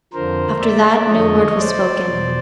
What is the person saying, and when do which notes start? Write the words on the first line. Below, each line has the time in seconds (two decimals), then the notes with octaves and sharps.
After that no word was spoken.
0.13 F2 D3 F3 A#4 C5
0.61 D5 E5
1.09 F2 D3 F3 C#5 D#5
1.57 C5 D5
2.04 E2 B2